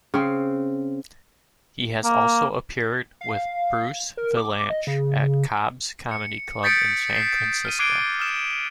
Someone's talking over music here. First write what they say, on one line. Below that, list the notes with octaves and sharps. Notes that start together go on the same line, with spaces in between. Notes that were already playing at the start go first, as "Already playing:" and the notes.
He has also appeared with Bruce Vilanch at Cobb's Comedy Club, in San Francisco.
C#3 C4
A#3
F5
A#4
D6
D#5
C#3
C#7
D#6 G6 A6 B6 C#7 D7
B6 C7 E7
F6 D#7
D6 F#6 G#6 C7 D7 G7
D#6 F6 E7